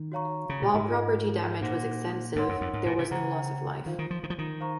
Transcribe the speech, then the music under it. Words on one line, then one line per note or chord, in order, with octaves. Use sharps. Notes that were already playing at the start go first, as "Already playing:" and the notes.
While property damage was extensive, there was no loss of life.
Already playing: D#3
F#4 C#5 F5 A#5 C#6
C#3
A#2
G#2
F4 A#4 D#5
A#2 D#4 F#4 C5 F#5
G#2 D#4 A#4 C#5 F#5 C6
F#2
F2
G#2
A#2
C3
C#3 C5 F#5 A#5
D#3 F4 C5 F5
D#3
F3
D#3
F3
D#3
C5 F5 A#5 C#6